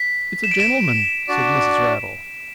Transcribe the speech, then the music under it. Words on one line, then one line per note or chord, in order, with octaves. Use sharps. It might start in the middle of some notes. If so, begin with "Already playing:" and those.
'It's a gentleman,' said Mrs. Raddle.
Already playing: B6
E7
D7
E7
D4 F#4 D5